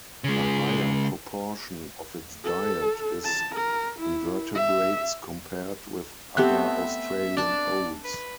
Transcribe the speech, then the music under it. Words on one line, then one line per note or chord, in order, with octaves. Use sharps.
A higher proportion of its diet is invertebrates compared with other Australian owls.
C#3 G#3
A4
A5
A#4
E4
E5
A3 B3 C4 G4 E5 F#6
D4 D5 A5 D6
B4